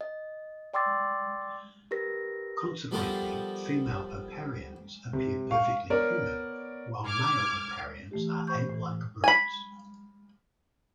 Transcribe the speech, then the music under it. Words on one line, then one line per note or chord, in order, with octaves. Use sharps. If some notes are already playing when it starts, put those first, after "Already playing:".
Consequently, female Oparians appear perfectly human, while male Oparians are apelike brutes.
D#5
D5 G5 C6 D6 E6 A6
G4 A#4 B4 A#6
F3 G3 B3 G4 A4 A#4
C3
F5 C#6
B3 A#4 C#5 D5
D6 F6 G#6
E3 A3 G4
C5 B5 C#6 G6
A2 E3
G#5 B5